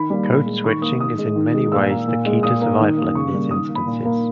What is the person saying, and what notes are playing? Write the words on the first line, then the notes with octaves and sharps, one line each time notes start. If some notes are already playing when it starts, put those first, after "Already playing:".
Code switching is in many ways the key to survival in these instances.
Already playing: D#3 B5
G3 A#3
A#2
G#3
D#3 C#6
A#3 D#6
D#3 D#6
G#3
D#3
G#3
A#2 E6
A#3
A#2
G#3
A#2 D#6
A#3
D#3
A#3
C#3 C#6
G3 A#3
D#3 D#6
A#3
B5
A#2
A#3